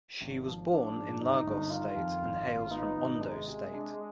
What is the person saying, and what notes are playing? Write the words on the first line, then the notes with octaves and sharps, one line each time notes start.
She was born in Lagos State and hails from Ondo State.
G#1
F3
F3 D4
G#2
G1 D#4
G1
D#3 F4
F2
G#1
G#1
B3 D#4
G#1
C3 G#3
C3
D4